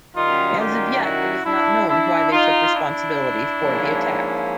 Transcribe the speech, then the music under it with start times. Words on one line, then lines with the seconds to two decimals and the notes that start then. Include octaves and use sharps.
As of yet, it is not known why they took responsibility for the attack.
0.16 F#2 D#3 G3 D#4 F4
0.59 F4 G4
1.02 E4 F#4
1.46 D4 E4
1.89 D4 E4
2.32 D#4 F4
2.75 D4 E4
3.61 G#2 F3 A#3 C#4